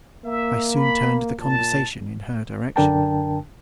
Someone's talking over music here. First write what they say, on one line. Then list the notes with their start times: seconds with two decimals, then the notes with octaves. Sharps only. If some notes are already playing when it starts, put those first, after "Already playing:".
I soon turned the conversation in her direction.
0.25 A#3 E5
0.76 B5
1.41 A#2 A5
2.76 F#2 D3 D4 A#4 G5 A5